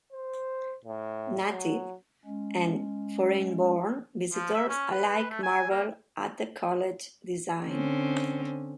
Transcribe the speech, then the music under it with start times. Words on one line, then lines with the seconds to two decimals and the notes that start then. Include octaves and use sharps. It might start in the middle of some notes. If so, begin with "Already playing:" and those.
Native- and foreign-born visitors alike marveled at the College's design.
0.12 C5
0.85 A2
1.47 F#3
2.25 G#3 C#4
4.34 F3
4.54 E5
4.69 C#4
4.92 B4
5.30 A3
5.43 G#5
5.70 A#3
7.66 D3 C4 C#4